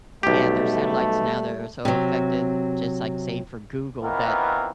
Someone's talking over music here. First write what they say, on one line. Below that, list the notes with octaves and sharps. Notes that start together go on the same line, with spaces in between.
yeah, there are satellites now that are so effective, just like, say, for Google, that
B1 G3 A3 G4
C3 F#3
D#3 E3 B3 C4 F4 A#4